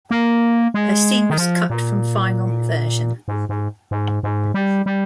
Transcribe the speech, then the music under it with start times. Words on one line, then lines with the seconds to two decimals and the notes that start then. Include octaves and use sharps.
Her scene was cut from final version.
0.11 A#3
0.74 G#3
1.30 D#3
1.38 F3
1.70 A#2
3.28 G#2
3.49 G#2
3.91 G#2
4.23 G#2
4.54 G3
4.86 G3